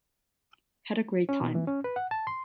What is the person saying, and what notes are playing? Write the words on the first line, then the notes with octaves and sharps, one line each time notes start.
Had a great time.
C#4
B2
E3
C#4
B4
F#5
A5
C6